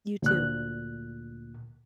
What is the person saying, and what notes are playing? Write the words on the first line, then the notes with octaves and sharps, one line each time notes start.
You too.
D2 A#2 F#6